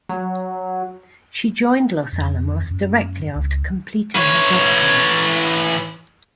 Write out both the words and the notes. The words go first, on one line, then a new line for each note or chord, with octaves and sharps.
She joined Los Alamos directly after completing her doctorate.
F#3
F2
F#2
C#2
E3 C#5